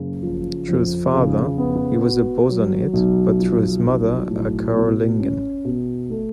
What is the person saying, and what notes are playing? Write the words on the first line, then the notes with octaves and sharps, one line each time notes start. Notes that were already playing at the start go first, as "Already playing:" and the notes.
Through his father, he was a Bosonid, but through his mother, a Carolingian.
Already playing: F#1 C#3
F3
F2
C#3
B3
F#4
F#3
B1
F3
B1
A2
B2
C#4
B2
A3